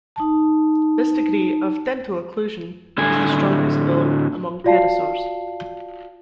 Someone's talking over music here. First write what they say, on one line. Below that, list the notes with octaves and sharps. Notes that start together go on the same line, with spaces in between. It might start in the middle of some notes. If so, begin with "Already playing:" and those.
This degree of "dental occlusion" is the strongest known among pterosaurs.
D#4 A5
A2 D3 G3 A4 G#5
F4 F#4 D5 F5 A5 C7